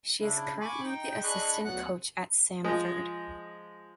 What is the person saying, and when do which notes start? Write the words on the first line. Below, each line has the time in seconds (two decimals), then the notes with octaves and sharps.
She is currently the assistant coach at Samford.
0.20 C#3 D4 E4
0.61 G#5 B5 C#6 D6
0.83 D#4 G5
1.23 D4 G#4 D#5 B5 C#6 F#6
1.65 D2 F#3 B3 F#5 F#6
2.64 F3 G#3